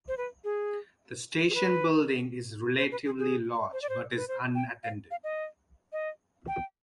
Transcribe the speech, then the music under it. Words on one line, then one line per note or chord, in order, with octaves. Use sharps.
The station building is relatively large, but is unattended.
C5
B4
G#4
G#4
B4
C5
B4
G#4
G#4
C5
D5
C5
B4
C5
G5
F5
F5
D#5
D#5
G5